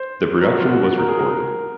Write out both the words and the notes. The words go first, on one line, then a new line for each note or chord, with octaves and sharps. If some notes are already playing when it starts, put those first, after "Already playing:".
The production was recorded.
Already playing: C5
A#4
F#4
F4
F#4
A#4
G#4
A#4